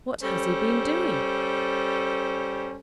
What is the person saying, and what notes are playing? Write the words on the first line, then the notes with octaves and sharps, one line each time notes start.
What has he been doing?
G3 C#4 A4 C5